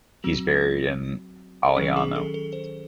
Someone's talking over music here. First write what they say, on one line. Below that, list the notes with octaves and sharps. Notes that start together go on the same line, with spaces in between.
He is buried in Aliano.
F#3 C4 F#4
A4
D#3 F#3 C#4 G#4
G#4
A4
A4
C5